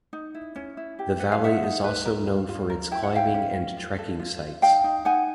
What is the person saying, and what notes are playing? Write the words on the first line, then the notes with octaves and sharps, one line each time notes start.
The valley is also known for its climbing and trekking sites.
D#4
E4
C#4
E4
G4
B4 F#5
F5
D#4 E5 F#5
D#4
B4
A#4
F4
F4
A#4
E4 G5
F#5
E4 F5 G5
C#4
C#4
F4
A4
F4
F4
D#4 F5 G5
D#4
D#4 F#5 G#5